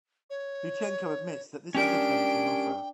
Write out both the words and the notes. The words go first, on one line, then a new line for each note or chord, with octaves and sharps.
Luchenko admits that this is a tempting offer.
C#5
C#4 D4 G4 A#4 G5 D7